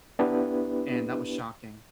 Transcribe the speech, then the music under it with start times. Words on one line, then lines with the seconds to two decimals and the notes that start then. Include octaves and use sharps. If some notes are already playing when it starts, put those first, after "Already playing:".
and that was shocking.
0.19 B3 D4 E4 G4 B4